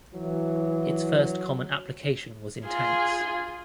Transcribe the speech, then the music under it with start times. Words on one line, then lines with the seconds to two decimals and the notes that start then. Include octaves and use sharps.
Its first common application was in tanks.
0.14 E3 F#3
2.65 F4 G#4